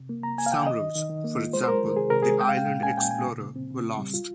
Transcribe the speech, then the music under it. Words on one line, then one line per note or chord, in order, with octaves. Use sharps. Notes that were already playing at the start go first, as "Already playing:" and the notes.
Some routes, for example the "Island Explorer" were lost.
Already playing: C3
A#3
C3 A#5
A#3 G#5
F5
D#3 G5
D#3 D#5
D#3
D#3
D#3
A#3
F4
G#3 C5
C5
G#3 A#4
D#3
C3 G#4
C3 A#4
G#4
G#3
G#3 G5
F5
A#2 G5
A#2
C#4 G#5
A#2 G5
A#2 G#5
C#3
C#3
C4
C#3
C#3
G3
F4